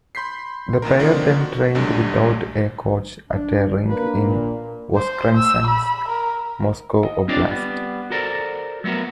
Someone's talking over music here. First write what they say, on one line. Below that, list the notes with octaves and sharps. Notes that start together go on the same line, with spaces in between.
The pair then trained without a coach at a rink in Voskresensk, Moscow Oblast.
B5 C6 G6 B6 C7
D2 A#2 D#3 A#4
D3 D#3 F3 A#3 C4 D4
F#4
A1 D2 G#2 D3 F#3 G3
D4
A#3 D4 A#4 B4
A#2
C5
E6
B5
A#4
D#5
C4 D4 F4 G4 C#5 D5
G3 B3
F#4 A4 A#4 C5 D5
F#3 A3 B3 F#4 A#4